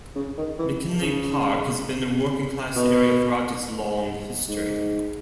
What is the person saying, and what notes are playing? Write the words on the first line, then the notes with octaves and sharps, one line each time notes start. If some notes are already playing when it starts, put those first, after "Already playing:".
McKinley Park has been a working-class area throughout its long history.
C#3
D#3
E3
C#3
B2
G#2